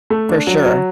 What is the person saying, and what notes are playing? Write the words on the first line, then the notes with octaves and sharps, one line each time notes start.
for sure.
A3
D4
F#3
F#3